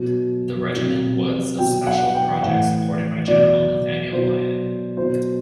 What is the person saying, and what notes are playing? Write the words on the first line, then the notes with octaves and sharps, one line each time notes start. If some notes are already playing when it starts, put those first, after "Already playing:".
The regiment was a special project supported by General Nathaniel Lyon.
Already playing: B2 F#3
C3 F#3
B2 F#3 G5
F#5
G5
A2 E3 F#5
B2 F#3 D5
B2 F#3 C5
B2 F#3 C5